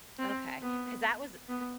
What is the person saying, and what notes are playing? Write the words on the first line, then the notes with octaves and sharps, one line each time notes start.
Okay, 'cause that was
C4
B3
B3